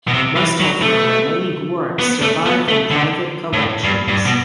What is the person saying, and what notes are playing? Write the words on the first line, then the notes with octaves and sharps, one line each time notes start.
Most of her remaining works survive in private collections.
B2
C3
E3
F#3
A3
B3
A3
B3
A3
D3
A2
G2
G2
B2